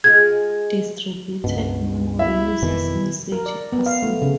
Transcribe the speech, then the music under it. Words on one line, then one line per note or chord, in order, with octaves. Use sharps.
Distributed memory uses message passing.
G#3 F4 G#4 G#6
C#2 G2 B2
E4 E5
F2 B2 D#3 E3
A#4
D5
B3
F5
A3
C#3